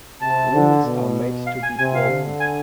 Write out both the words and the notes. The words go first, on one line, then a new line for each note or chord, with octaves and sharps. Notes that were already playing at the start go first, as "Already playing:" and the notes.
Rules are made to be broken.
C3 A5
D3
B2
F5
G#5
C3 G#5
F5
D3
G#5